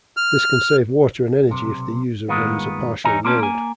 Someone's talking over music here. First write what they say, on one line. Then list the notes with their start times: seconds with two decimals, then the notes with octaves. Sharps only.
This can save water and energy if the user runs a partial load.
0.17 F6
1.48 B1 C3
2.28 G2 D#3 G#3 A#3 B3 F4
3.04 E2 D#4 C#5 G#5 A#5
3.25 A#3 C4 C#4 A5
3.39 A#3 G#5